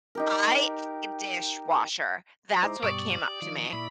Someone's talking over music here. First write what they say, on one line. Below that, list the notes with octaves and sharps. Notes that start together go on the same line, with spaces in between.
"Buy a dishwasher," that's what came up to me,
D#4 G4 A#4
G#3 D#4 E4 C5 A#5 D6
G2 B2 G3 D5 C#6 D#6
G4
D#3 F3
A#2 E4 D5 B5